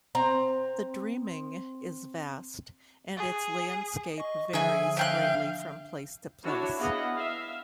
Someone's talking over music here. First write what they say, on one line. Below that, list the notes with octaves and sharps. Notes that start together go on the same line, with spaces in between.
The Dreaming is vast, and its landscape varies greatly from place to place.
C4 A#5
G#4
D#5 C#6
D3 F3 D4 G#4 E5 G#5
E5 F5 G5 F#6
D4 E4 F#4 C#5
B3 E4 G#4 D#5 F5 F#5
E5 F5